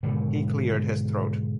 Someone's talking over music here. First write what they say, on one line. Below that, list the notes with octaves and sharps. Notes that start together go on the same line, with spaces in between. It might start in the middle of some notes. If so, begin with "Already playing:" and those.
He cleared his throat.
G#2 B2 D3 D#3